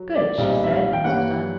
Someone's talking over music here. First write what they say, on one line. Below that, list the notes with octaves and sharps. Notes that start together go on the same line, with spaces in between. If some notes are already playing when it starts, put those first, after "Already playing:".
"Good!" she said, when this was done.
Already playing: F#3
D5
B1 A#2 G3 C4 D#4
E5
F5
G5
G2 E3 G3 A#3 C#4 F#5